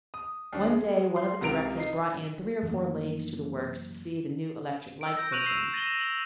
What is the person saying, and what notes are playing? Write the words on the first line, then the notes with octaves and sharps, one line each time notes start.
One day one of the directors brought in three or four ladies to the works to see the new electric-light system.
D#6
D#2 D4
G#3
C6
C#2 C3 A#4 D7 F7
D#4 C7
F#2 E3 A3 A#3
E6 D7
G6 A#6
C#6 F#6 D7 D#7 F7 F#7
E6 C7 E7 F#7
A6 A#6 D#7 E7 F#7 G7
F#7